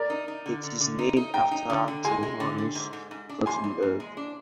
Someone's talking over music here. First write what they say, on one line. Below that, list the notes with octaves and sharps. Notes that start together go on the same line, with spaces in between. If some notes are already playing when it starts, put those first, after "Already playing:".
It is named after Johannes Gutenberg.
Already playing: A#4 D5
D#4
D#4
D3
D3
D3
D#4
D#4
D#4 G5 A#5
D#4
D3
D3
G#3 G#5 C6
G#3
D3
D3
G#2
G#2
G#2
D4
G#2 G#5 C6
G#2
G#2
G#3
D4